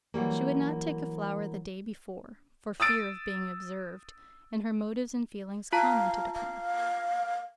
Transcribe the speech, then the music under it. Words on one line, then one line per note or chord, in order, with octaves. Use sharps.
She would not take a flower the day before, for fear of being observed, and her motives and feelings commented upon.
E3 F#3 G3 A#3
D#6 E6 A6 D7
F4 F5 A5 A#5
F5